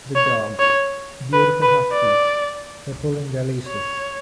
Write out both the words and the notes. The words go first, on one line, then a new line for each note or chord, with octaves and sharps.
The dogs, beautiful Huskies, were pulling their leashes.
C#5
C#5
B4
B4
D5
C#5